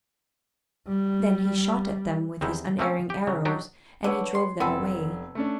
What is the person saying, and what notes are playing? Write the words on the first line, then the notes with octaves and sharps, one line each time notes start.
Then he shot at them with his unerring arrows and he drove them away.
G3
E2 C3 D#3 D#4 E4
F3 A3 A#3 C4 C#4
G4
C#3 F#3
F#3 D4 D#4 G4
D3 B4 C#5 F#5
C6
F1 B3 C4 A4
A3 C#4 D4